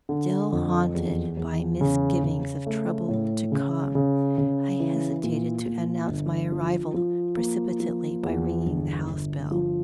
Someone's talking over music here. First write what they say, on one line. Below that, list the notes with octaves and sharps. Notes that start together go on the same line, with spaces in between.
Still haunted by misgivings of trouble to come, I hesitated to announce my arrival precipitately by ringing the house-bell.
D3
F2
E2
E2
C#3
C#3
A3
A2
C#3
C#3
C#3
E3
A#2
A#2
G1
F3
F3
A#3
F3
E2
G1
G1
F3